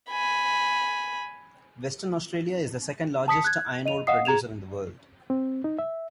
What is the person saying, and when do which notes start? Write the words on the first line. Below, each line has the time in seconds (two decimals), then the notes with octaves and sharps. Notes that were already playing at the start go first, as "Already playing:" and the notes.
Western Australia is the second-largest iron ore producer in the world.
0.10 G#5 B5
3.28 A5 D#6 B6 C#7
3.45 F#6 G#6
3.85 D#5 D#7 F7
4.07 D#5 F5 F#5 D#6 C7
4.25 G#4 A#5 G#6 E7 F7
5.30 C4
5.64 D#4
5.79 E5